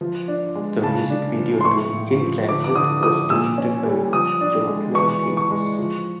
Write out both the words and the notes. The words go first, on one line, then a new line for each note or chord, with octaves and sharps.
The music video to "In Transit" was directed by Joaquin Phoenix.
F3
D4
G#3
C#3 A5
D4
F3
C6
A2 C#6
A2
F3
D3 D6
D6
D3 D#6
F3 D#6
A#2 E6
C#4
G3
F3 D#6
D4
G#3
E3 C#6
E3
C#6
G#3
F3